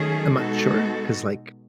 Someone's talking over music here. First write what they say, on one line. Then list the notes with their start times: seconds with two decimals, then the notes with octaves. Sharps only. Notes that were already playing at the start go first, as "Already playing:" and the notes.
I'm not sure 'cause, like
Already playing: D#3 F#3 A3 C#4 G#4
0.34 B2 G#3 D#4 F#4 A4